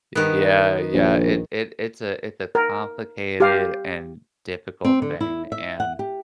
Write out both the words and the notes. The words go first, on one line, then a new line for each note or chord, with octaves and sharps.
Yeah, yeah, it it it's a it's a complicated and difficult thing, and,
D#3 B3
A#1
A#4
G4 F5
C4
D3
E4
E5
F#5
G4